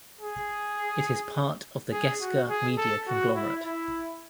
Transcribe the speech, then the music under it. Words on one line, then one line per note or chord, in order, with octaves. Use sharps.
It is part of the Gesca media conglomerate.
G#4
G#4
F#4
G#4
A4
F#4
E4
E4